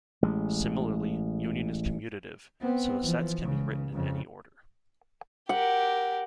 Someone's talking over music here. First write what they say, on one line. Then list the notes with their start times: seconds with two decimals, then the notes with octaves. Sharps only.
Similarly, union is commutative, so the sets can be written in any order.
0.22 A1 G#3
2.61 B3 C4
3.01 E3 F3
3.40 C#2 C#3
3.93 F2 C#3
5.49 G4 A#4 F#5